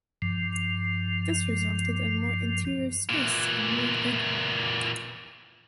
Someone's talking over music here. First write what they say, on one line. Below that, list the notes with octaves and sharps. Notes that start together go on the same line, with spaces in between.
This resulted in more interior space, and more legroom.
G2 F3
A#2 E3